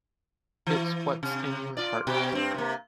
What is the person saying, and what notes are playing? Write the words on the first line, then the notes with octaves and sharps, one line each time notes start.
It's what's in your heart.
E3
C3
F4 D5
B2 G4
G2 C4
C3 A#3